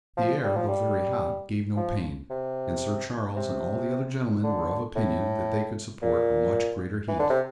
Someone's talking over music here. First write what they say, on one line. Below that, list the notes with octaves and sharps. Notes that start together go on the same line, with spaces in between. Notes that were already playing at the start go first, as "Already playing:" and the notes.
The air, though very hot, gave no pain, and Sir Charles and all the other gentlemen were of opinion that they could support a much greater heat.
F3
G3
F3
G3
F3
C3
C3
D3
A2
A#2
E3
D3
C3